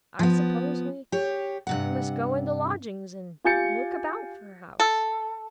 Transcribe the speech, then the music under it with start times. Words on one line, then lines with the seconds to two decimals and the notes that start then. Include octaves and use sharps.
'I suppose we must go into lodgings, and look about for a house.
0.19 F3 B3
1.12 G4 C#5
1.67 G2 C3 F#5
3.44 F4 G4 G#5 G6 A6 C#7
4.80 A4